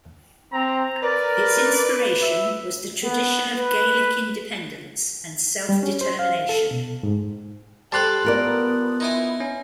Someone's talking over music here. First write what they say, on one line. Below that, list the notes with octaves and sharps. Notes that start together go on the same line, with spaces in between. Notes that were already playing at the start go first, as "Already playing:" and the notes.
Its inspiration was the tradition of Gaelic independence and self-determination.
C4 A#5
A#4 B4 D5
E5
B3
B4
G3
C#4
C5
F5
A4
B2
G#2
G3 G4 A4 C5 A5 C6 F#6
B3 F4 A#4 D5
D#4 E4 G#5
C#4